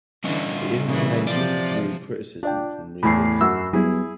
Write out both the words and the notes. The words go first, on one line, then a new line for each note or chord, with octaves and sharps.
The information drew criticism from readers.
D3 E3 G3 C#4 D#5
F4
A#2 C#3 E3
C3 F3 D5
D4 F4 D5 G5
E2 A2 B5 C7
F#2 F#4 E6
F#3 G3 B3 E4 G#4